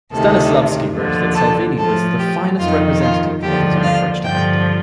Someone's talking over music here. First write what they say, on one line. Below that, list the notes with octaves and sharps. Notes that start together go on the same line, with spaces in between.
Stanislavski wrote that Salvini was the "finest representative" of his own approach to acting.
D2 C3 D#3 A4
D#2 D3 F3
A4
A2 F3 A4
G4
F2 D#3 F4
F4
D#2 D3 F3 G4
F5
G2 D3 F3 G5